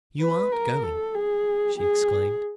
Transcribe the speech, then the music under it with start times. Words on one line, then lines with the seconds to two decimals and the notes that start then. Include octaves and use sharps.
"You aren't going?" she exclaimed.
0.20 B4
0.52 A#4
0.83 A4
1.14 G#4
1.78 G#4